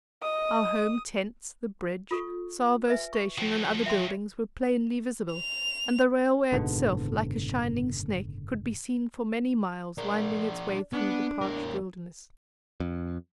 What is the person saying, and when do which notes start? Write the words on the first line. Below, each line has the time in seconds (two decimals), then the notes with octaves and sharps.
Our home tents, the bridge, Tsavo Station and other buildings were plainly visible, and the railway itself, like a shining snake, could be seen for many miles winding its way through the parched wilderness.
0.23 D#5 D#6
2.11 F4 A4 C#6
2.88 B4 E5 G#5
3.13 C#6
3.38 F3 F#3 G5
3.86 E5 G5 C6
5.33 F7
6.52 F#1 G#2 B2 D3
9.98 D4 A#4
10.93 B3 D4
11.41 E2 A#4
12.80 F2